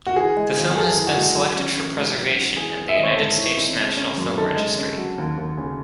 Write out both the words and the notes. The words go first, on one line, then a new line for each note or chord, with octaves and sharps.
The film has been selected for preservation in the United States National Film Registry.
F#4
E3 G#4
G#3
G#1
G#4
F#2 A4
E3
F#4
G#3
F#3
C#4
A1
G#2
F#3
C#4
E3 G#4
C4
E5
G#1 D#5
C#5
C5
G#2 A4
E3
C4
G#3
C#4
F#2
D#3 A4
G#3
C#4
F#3
D#2
D#2
C#3